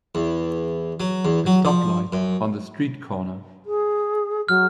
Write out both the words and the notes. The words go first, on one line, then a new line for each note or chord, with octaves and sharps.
A stoplight on the street corner.
E2
F#3
E2
F#3
F3
F#2
G#4
F#3 F6